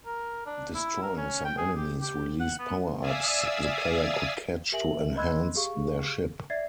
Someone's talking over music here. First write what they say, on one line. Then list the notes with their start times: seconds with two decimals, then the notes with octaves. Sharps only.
Destroying some enemies released power-ups the player could catch to enhance their ship.
0.06 A#4
0.47 D4
0.75 E4
1.02 A#4
1.17 C#4
1.45 G5
1.58 G#4
1.77 G4
2.02 G4
2.40 F#5
2.59 B3
3.00 D5 E5 F5 G#5 D#6 E6
4.72 G4 A#4 E5 G#5 F#7
5.16 D#5 B5 C6 E6 F#6 G#6
5.55 G4 G#4 F5 C#6
6.50 D5 E5 G#6 A6 C7